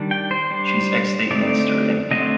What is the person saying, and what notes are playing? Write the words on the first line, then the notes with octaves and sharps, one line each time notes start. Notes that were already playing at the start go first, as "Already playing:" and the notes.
She is ex state minister Md.
Already playing: D#3 G3 D4
G5
C5
G3 D4 C5
D3 A3 C4 D#4 D5
D3 F#3 A3 C4 D#5